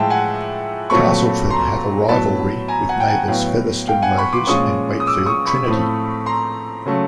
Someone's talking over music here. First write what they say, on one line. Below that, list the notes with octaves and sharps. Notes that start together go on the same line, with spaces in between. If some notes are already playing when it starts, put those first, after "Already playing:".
Castleford have a rivalry with neighbours Featherstone Rovers and Wakefield Trinity.
Already playing: A2 F3 G#3 E5 G5 A5
F#5 G#5
A#2 F#3 A3 C4 B5 C#6
A#5 C6
A2 F#3 B3 A5 B5
G#5 A#5
F#5 G#5
G5
F#5 G#5
A2 F#3 B3 F5 G5
F5 G5
F#5 G#5
B5 C#6
C6 D6
A#2 F3 G#3 C#4 C#6 D#6
D#6
D6 E6
C#6 D#6
B5 C#6
A2 F3 A3 C4
A#5 C6
C#3 F#3 A3